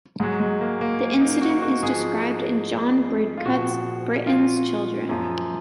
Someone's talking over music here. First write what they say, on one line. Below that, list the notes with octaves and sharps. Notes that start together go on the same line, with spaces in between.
The incident is described in John Bridcut's "Britten's Children".
G#2 F#3 G#3
G#3
A#3
A#3
D#4
F#4
F#4
G#2 F3 G#4
F4
A#2 F3 F#4
F4
F#2 F3